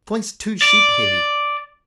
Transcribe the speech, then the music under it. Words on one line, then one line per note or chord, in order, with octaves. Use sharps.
Twice two sheep heavy.
D5